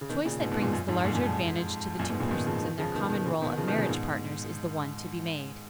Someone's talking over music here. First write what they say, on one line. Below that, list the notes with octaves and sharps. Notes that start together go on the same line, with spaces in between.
The choice that brings the larger advantage to the two persons in their common role of marriage partners is the one to be made.
C#3
B2 D#3
A#2 C#3
G#2 B2
G#2 B2
F#2 A#2
F#2 A#2
F2 G#2
F#2 A#2
F#2 A#2
F2 G#2
F#2 A#2
G#2 B2
A#2 C#3
B2 D#3
C#3 F3
B2 D#3
C#3 F3
B2 D#3
B2 D#3
A#2 C#3
B2 D#3
C#3 F3
B2 D#3
A#2 C#3
G#2 B2